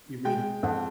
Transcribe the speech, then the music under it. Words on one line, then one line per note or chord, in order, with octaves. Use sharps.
You mean
G#3 G5
F2 F#5